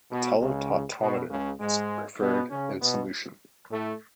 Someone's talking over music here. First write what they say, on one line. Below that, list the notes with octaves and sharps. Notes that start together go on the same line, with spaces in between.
The tele-tautomer is preferred in solution.
B2
C#2 C#3
B2
C#2 C#3
G#2 G#3
B2 B3
C#3 C#4
B2 B3
A2 A3